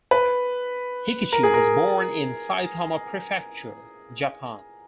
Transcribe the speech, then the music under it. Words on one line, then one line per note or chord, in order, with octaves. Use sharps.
Hikichi was born in Saitama Prefecture, Japan.
B4
A#4
G#4
A#4